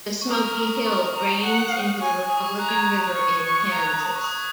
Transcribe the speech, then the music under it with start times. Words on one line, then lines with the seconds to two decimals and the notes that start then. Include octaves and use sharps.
The Smoky Hill drains into the Republican River in Kansas.
0.22 C#6
0.29 A#4 D#6
0.59 D#6
0.86 A#4 C#6
1.16 A#5
1.44 F#5
2.02 G#5 C#6
2.30 G#5 D#6
2.37 C#6
2.44 D#6
2.58 A#5 F#6
2.69 G#6
2.79 F#6
3.16 C#6
3.44 C#6
3.73 A#5 G#6
3.87 F#6
4.00 D#6
4.15 C#6
4.24 D#6
4.29 C#6